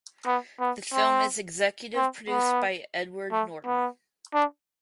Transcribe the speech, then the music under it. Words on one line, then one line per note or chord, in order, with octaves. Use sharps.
The film is executive produced by Edward Norton.
B3
B3
C4
C4
B3
A3
B3
D4